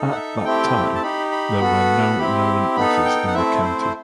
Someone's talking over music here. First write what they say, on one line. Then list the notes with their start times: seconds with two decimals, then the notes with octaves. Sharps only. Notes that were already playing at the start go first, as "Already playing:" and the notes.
At that time, there were no known otters in the county.
Already playing: D#4 A4
0.11 F#5
0.15 E5
0.44 A3 C4 E4 G4 G5
0.95 A5
1.02 D#4 G4 B5
1.31 B5
1.60 B3 F#4 A4
2.18 C4 E4 G4
2.76 B3 D#4 A4 B5
3.05 G5
3.27 F#5
3.34 A3 C4 E4 E5
3.63 C5
3.82 C5